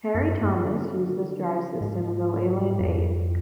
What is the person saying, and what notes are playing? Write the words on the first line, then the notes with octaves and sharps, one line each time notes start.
Parry-Thomas used this drive system in the Leyland Eight.
F#2
G2
D3
C#3
D3
D#3
D3
C#3
G#2
F2